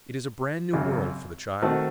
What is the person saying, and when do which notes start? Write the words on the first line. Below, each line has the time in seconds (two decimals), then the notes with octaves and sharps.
It is a brand-new world for the child.
0.73 G#1 F#2 C#3
1.62 D#3 A3 C4 F#4 A4